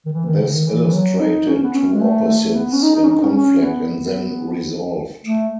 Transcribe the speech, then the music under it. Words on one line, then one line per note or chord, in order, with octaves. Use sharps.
This illustrated two opposites in conflict and then resolved.
D#3
E3
D#3
C#3
D#3
E3
E3
F#3
D#4
C#4
B3
C#4
G#3
A3
A3
B3
C#4
D#4
D#4
C#4
D#4
C#4
C#4
B3
A3